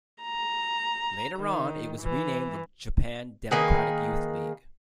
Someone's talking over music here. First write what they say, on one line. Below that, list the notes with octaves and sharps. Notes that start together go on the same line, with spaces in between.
Later on, it was renamed the Japan Democratic Youth League.
A#5
D#3
E3
D#3 A#3 G#4 B4